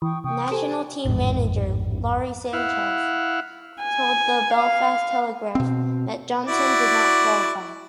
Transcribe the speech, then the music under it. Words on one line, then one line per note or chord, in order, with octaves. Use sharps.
National team manager Lawrie Sanchez told the "Belfast Telegraph" that Johnson did not qualify.
E3 G5 C#6 D#6
C3 G5 C#6 D#6
G4 A4 C5 G#5
A1 F2 G#2
E4 F5 F#5
G#5
F5
B2 C4
E4 F#4 D5